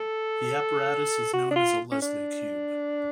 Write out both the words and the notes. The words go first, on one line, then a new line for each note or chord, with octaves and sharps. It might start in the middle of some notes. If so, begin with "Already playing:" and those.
The apparatus is known as a Leslie cube.
Already playing: A4
F#4
D4
F4
C#4
D4